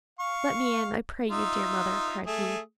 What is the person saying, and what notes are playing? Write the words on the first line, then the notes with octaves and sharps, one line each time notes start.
'Let me in, I pray you, dear mother,' cried he.
F5 C#6
D#4 F4 E5
A3 G#4 D#6